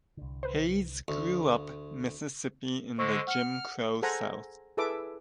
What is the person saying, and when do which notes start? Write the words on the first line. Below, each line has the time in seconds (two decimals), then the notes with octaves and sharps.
Hayes grew up Mississippi in the Jim Crow south.
0.17 C2 D3
0.43 B4 C5
1.08 D2
2.98 D3 G#3 C5 C#6 E6
3.27 F#5 F6 C#7
4.02 G#4 A4 C5 F#5 G#5 A#5
4.77 E4 G#4 A4 B4 E5 D6